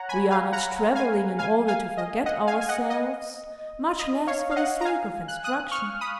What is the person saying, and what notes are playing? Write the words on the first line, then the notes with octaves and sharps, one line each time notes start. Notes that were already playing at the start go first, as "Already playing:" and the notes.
We are not traveling in order to forget ourselves, much less for the sake of instruction.
Already playing: C#5 F#5 A#5
G#5 B5
F5 G#5
F#5 A#5
F5 G#5
F5 G#5
F5 G#5
D#5
D#5 F#5
F5 G#5
G#5
D#5 F#5
D#5
D#5
C#5 F5
F5
D#5 F#5
A#5
F5 G#5
F#6
D#6 F#6
C#6 F6
B5 D#6